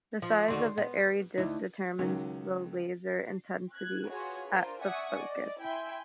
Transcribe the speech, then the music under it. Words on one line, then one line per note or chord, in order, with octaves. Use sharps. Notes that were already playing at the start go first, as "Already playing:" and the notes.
The size of the Airy disk determines the laser intensity at the focus.
F3
D#2 D3 F#4 C6
B3
D2 D#4 E4
C#2 D#3 F#3 C#4
F#6 G#6
F4 F#4 G#4 B4 C#5
D4 F4 A#4 C5
D5 E5 F#5 G#5 C#6 D#6
D5 D#5
E4 E5 G5 G#5 B5 C6